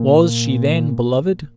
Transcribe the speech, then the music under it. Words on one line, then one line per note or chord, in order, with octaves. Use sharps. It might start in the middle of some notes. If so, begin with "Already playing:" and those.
Was she then beloved?
Already playing: A#2